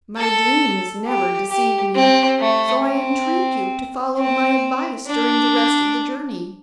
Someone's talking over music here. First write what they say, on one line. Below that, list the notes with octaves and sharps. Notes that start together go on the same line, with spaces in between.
My dreams never deceive me, so I entreat you to follow my advice during the rest of the journey.'
A4
G4
G4
C4
A3
C4
C4
D4